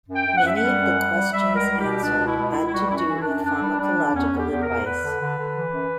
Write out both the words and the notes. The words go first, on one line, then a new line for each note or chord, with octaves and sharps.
Many of the questions answered had to do with pharmacological advice.
F#2
G5
F#2
F#5
F#2 E5
F#5
G3
F#2
G3
G3
G3 E5
C#2
A#4
G3
G4
B2
C#2 D4
B2
E4
C#2
E4
C#2
E4
G3 F#4
F#2 E4
F#4
E3
E4
D4
F#2
F#2 D4
G3
G3 D4
E3
E2 C#4
E2
G4
E2
A#4
E2
E2 B4
D3
D3
D3
E3
F#2